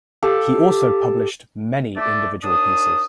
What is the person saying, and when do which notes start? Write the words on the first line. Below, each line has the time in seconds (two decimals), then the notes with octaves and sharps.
He also published many individual pieces.
0.22 G4 A4 F5
1.96 A3 D5
2.43 D#2 D4 D#6